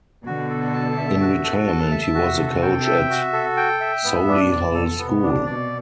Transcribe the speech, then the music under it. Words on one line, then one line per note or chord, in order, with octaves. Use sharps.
In retirement he was a coach at Solihull School.
B2 D3 F#4
A4
A5
E5
F#4
A4
A5
E5
C3 F#4
A4
G5
E5
F#4
A4
G5
E5
A2 B3
D4
B2
D5
B2
A4
C3 B3
D4
B2 D5